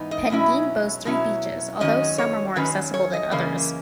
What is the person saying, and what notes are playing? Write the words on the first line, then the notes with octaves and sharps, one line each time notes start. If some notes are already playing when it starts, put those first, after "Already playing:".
Pendeen boasts three beaches although some are more accessible than others.
Already playing: G#2 E3 B3 D#4
D#5
B2 F#3 C#4 E4
B2 F#3 C#4 E4
F#2 D#3 F#3 C#4 D#5
C#5
F#2 D#3 F#3 C#4 B4
C#5
D#5
F#2 C#3 E3 A#3 C#4